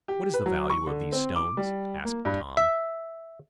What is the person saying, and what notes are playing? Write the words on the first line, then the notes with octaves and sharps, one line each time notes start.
"What is the value of these stones?" asked Tom.
G4
B4
F#3
C#6
D3
C4
D6
G3
A#3
G2
E5